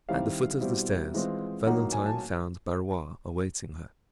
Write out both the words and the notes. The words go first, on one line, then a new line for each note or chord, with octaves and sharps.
At the foot of the stairs, Valentine found Barrois awaiting her.
D#3 G3 C4 E4 F5
B2 G3 C4 E4
E3 G#3 C4 F4
A2 F#3 A#3 D#4 F#5
G#5
A5